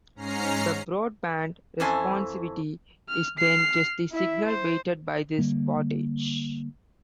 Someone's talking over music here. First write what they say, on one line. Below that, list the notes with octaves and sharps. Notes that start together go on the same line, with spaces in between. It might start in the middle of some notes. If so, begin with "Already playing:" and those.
The broad-band responsivity, is then just the signal weighted by this wattage.
G#2 C#4 A#5 F6 C7
F2 E3 C#4 A4 C5 G#5
F6
F6 C7
E4 E5
C5
D3 G3 A#3